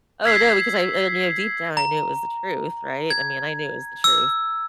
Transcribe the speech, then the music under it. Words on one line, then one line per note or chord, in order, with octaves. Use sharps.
Oh, no, because I I knew deep down, I knew it was the truth, right? I mean, I knew it was the truth.
E6 G#6 B6 C7
A#5
G#6
E6